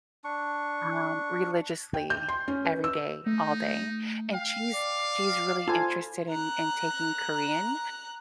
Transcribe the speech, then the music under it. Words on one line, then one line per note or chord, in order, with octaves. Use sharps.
um, religiously, every day, all day. And she's she's really interested in in taking Korean,
D4 C#6
G5
G6
C6
C#4
B4
E6
A3 D#4
F5 G5
D5
F4 A4 C5 G#5 B5 G#6
A#5 F#6